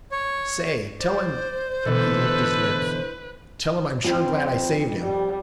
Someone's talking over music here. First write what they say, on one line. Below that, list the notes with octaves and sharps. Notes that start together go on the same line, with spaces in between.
'Say, tell him,--' he licked his lips,--'tell him I'm sure glad I saved him.
C#5
C5 D5
B2 D3 E3 A4 B4
F2 F3 C4
G3